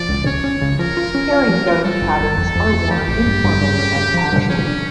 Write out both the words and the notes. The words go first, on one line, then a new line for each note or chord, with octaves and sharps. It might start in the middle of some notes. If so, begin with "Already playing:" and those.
Herringbone patterns are worn informally and casually.
Already playing: F3 D5
C#2
C#4 C#5
C#4
C#2
F3 A#4
F4
C#4
F4
F3
F4
G3 A4
G1
G1
F2
F2
F2
F3 G4
A1
G2
G2
G2
C#4
G2
F3
G2
F3 C#4
D3